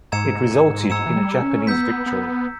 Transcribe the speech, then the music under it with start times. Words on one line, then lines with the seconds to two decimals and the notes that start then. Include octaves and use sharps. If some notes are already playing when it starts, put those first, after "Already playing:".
It resulted in a Japanese victory.
0.12 G#2 A#5 E6 G#6 C#7 E7
0.51 G#2
0.90 G#2 A#5 E6 G#6 C#7 E7
1.06 E3
1.16 G3
1.42 C#4
1.67 B3 E6 G6 B6
2.06 B3